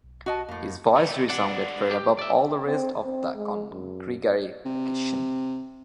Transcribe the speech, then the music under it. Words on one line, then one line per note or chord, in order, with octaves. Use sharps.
His voice resounded far above all the rest of the Congregation.
B1
F#4 D#5 A5
F2 A2 A#3
E3 A3
G#3 D4 D5 F#5
G4
D5 E5
C4
C4
G#3
F#2
C3